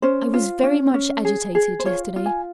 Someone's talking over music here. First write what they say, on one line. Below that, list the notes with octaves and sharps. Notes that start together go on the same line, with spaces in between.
I was very much agitated yesterday.
C#4 C5
F4
C#4
C#4
G#4
G#4
C5
F4 C#5
F4
G#5